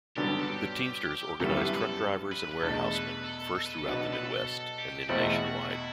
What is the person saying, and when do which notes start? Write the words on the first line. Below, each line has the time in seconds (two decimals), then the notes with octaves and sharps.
The Teamsters organized truck drivers and warehousemen, first throughout the Midwest, and then nationwide.
0.16 G2 D3 F#3 B3 D4 G4
0.40 A4
0.48 G4
1.40 F#2 D3 G3 B3 E4 A4
1.61 B4
1.81 A4
2.32 B4
2.52 B4
2.63 E2 B2 A3 D4 A4
2.93 B4
3.24 A4
3.55 A4
3.66 B4
3.78 A4
3.86 B2 F#3 B3 D4 F#4 B4
4.01 A4
4.12 B4
4.24 A4
4.47 A4
4.78 G4
5.09 E2 B2 A3 C4 E4 F#4
5.71 E4